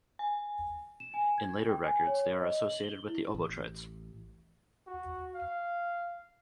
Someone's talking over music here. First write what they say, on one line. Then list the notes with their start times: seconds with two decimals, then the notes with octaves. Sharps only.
In later records they are associated with the Obotrites.
0.19 G#5
1.00 E7
1.14 G#5
1.38 G#6
1.69 G5
1.84 G#5
2.07 C#5
2.39 D#5
2.69 F#7
2.83 G7
3.08 E4
3.34 A1
4.87 F#4
5.34 F5